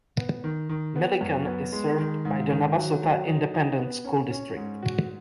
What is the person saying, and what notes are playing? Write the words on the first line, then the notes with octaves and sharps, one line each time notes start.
Millican is served by the Navasota Independent School District.
B3
D#3
D#3
B3
F#2
B3
G#3
D#3
G#2
D#3
F#3
F#3
D#4
D#4
B3
C#4
C#4
G#2
F#4